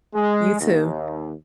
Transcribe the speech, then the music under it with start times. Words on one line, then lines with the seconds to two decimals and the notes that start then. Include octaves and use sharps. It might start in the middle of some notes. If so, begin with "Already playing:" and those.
You, too.
0.14 G#3
0.60 D#2